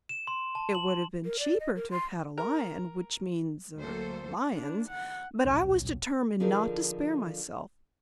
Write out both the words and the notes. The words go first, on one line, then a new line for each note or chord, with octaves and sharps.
It would have been cheaper to have had a lion, which means--er--lions, but I was determined not to spare myself.
E7
C6
A5
F#7
A#4
D5
D#5
A#4
C6
A#4
D2 F#3 A#3 A4 C5
D4
F#5
D#1 B1 F#3 C#4
D3 F3 D#4 G#4 A#4